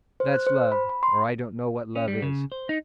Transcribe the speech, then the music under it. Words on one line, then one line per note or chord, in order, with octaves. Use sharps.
"That's love, or I don't know what love is."
C5
F#6
C5
B5
B5
C6
C#4
G3
C#3
C5
D#4